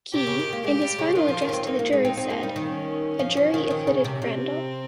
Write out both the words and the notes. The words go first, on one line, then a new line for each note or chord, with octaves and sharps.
Key, in his final address to the jury said: A jury acquitted Crandall.
C3 G4
C#3
D#3
A#3
G#3 G4
G3
C#3
D#3 F4
F3
D#3
C#4
C4
A#3 D#4
A#3
G#3
C4
C4
A#3
G3
D#3
C#4
F3
F3
D#3
D#3
C#3
C3
C3 C4